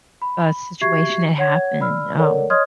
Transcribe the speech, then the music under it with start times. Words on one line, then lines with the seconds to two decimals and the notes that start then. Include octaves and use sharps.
uh, situation that happened, um,
0.22 B5
0.81 F#4 G4 E5 C#6 G#6 C7
1.38 C#5 F#5 G#6
1.81 D5 B5 E6 F6
2.18 A4 A#4 C#5 D5 F#5
2.50 C#5 D#5 C6 D#6 F6 G#6